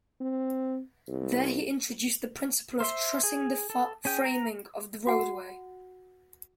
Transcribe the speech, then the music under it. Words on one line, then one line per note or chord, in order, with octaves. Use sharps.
There he introduced the principle of trussing the framing of the roadway.
C4
C2
C5 E5 C6
G#4
A4
C#4 G#4 G5
A#5
F#4 F#5